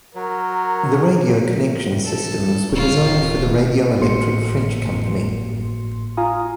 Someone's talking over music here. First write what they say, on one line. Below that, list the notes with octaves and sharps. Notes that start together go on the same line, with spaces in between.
The radio connection systems were designed for the Radioelectric French Company.
F#3 A#4
A4
D1 F4 C#5
G#1 A2 A#3 F#4 C6 C#7
F4 F5 G#5 A#5 D#6